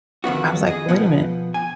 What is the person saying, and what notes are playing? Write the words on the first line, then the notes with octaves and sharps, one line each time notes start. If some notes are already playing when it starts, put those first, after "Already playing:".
I was like, "Wait a minute."
F2 D#3 B3 F#4
G#4 D#5
B2 F3 B3
G#5